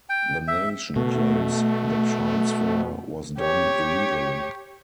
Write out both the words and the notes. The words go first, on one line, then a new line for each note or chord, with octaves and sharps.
The Nation claims the transfer was done illegally.
G5
E5
B2 A3
G4 C#5